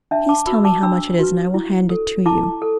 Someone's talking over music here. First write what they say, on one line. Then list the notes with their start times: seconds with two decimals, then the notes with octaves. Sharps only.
Please tell me how much it is and I will hand it to you.
0.11 D4 E5 A5
0.29 A5 D6
0.47 F#4 B4 B5 E6
0.65 A5 D6
0.83 D4 B5 E6
1.19 F#4 B4
1.54 E4
1.90 A4
2.26 E4 A5 D6
2.62 A4